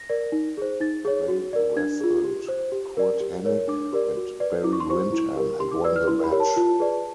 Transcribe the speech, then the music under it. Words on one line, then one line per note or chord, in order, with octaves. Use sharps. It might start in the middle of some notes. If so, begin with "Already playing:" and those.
They wrestled Curt Hennig and Barry Windham and won the match.
Already playing: A#6
A#4 D5
D#4
G#4 C5
D#4 A6
G#4 C#5
F#4
A#4 D5
D4 G#6
F4 G#4
G4
C5
G4
A#4 D5
G4
A#4 C#5
D4 D6
G4 A#4 D5
F#4
B4 D5
E4 D6
C#6
C6
G4 C5 C#6
E4
G4 A#4
G4 C6
D6
B4 D5 E6
F6
E4 C6
B5
G4 A#4 C#5
A5
F4
G#4 B4 D5